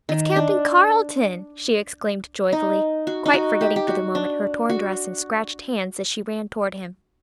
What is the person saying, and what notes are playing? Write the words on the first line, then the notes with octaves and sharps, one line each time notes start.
"It's Captain Carleton!" she exclaimed joyfully, quite forgetting for the moment her torn dress and scratched hands as she ran toward him.
D#3
D4
D#4
F#4
D#4
F#4
G4
G4
F#4
D4
F#4